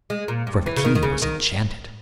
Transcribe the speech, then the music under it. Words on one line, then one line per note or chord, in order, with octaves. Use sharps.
For the key was enchanted.
G#3
A#2
G2
E3
C#3
D#3
D#3
C#3
D#3